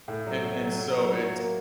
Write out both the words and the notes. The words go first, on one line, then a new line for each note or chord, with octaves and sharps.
and and so it's
A2 A4
F#3
F#3
F#3
F#3
F#3
F#3
A#3